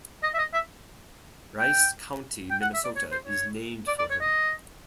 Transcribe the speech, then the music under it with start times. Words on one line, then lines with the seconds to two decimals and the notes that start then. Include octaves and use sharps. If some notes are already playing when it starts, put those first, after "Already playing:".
Rice County, Minnesota is named for him.
0.23 D#5
0.34 E5
0.38 D#5
0.53 E5
1.60 G5
2.51 G5
2.62 F#5
2.74 E5
2.84 D5
2.96 C#5
3.12 C5
3.27 C#5
3.87 D5
3.99 D5
4.10 C#5
4.21 D#5